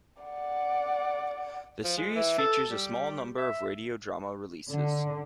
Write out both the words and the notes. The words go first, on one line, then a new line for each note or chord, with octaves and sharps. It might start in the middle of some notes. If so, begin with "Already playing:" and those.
The series features a small number of radio drama releases.
D5 F#5
F3
G#3
E3
A4
G3
E5
D3